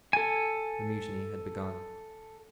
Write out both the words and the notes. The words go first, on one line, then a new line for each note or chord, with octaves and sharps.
The mutiny had begun!
A4 G#5